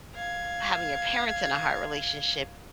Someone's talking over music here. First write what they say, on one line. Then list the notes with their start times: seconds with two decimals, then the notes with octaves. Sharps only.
having your parents in a hard relationship,
0.15 F5 G#6